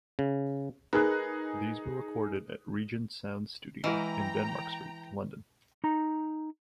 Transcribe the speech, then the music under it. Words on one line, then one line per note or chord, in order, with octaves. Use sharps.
These were recorded at Regent Sound studio in Denmark Street, London.
C#3
D#4 G#4 A#4 B4 F#6
E3 G#3 E4 D#5 G5 A#5
D#4 A#5